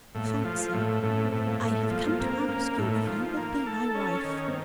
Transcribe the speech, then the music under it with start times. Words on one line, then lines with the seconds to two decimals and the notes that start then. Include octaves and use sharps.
"Fancy, I have come to ask you if you will be my wife?"
0.15 A2 A#3
0.44 F3 A3
0.74 A2 A#3
1.02 A2 C#4
1.24 C4
1.32 A2
1.46 A#3
1.61 A2
1.69 A3
1.90 F3 A#3
2.08 A#3
2.20 A#3 C4
2.49 A#3 C#4
2.77 A2 D#4
3.07 F3
3.37 A#3
3.66 A4
3.95 C#4
4.24 D#3
4.48 C4